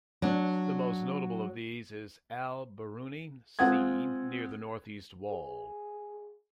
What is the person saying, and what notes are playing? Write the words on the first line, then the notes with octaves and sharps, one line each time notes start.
The most notable of these is Al-Biruni C near the northeast wall.
F#3 D4
G#3 C4 F4 F#5 D#6 G#6
G#4